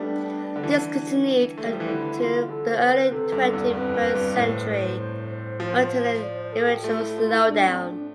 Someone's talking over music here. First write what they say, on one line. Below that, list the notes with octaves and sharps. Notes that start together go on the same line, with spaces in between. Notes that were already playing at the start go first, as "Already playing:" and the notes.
This continued until the early twenty first century, until an eventual slowdown.
Already playing: G3 A3 B3 D4
D3
E3
A3
G3
F3
E3
D3 E4
F4
A4
C5
B4
C3 A4
G2
E2
F2 B4
F2
G2
A2 B4
C5
B4
C5
C5
C5
F3
D5
C5
A4
G4
A3 F4
E4
F4
E4
D4
C4
D4